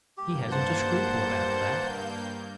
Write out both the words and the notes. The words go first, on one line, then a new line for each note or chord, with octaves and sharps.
He hasn't a scruple about that.
G2 A#3 G4 G6
C5 F#5 A5